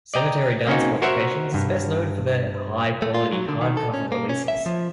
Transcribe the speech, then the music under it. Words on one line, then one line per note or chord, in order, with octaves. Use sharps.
Cemetery Dance Publications is best known for their high quality hardcover releases.
D5 D#5 G5 A#5
A#3 C4 C#4 D#4 F#4
F#4 A#4 C5 C#5 E5 F#5
G2
A3
F4
F#3
D3
D#3
A4
C#4
A#3
C#4
E5
F3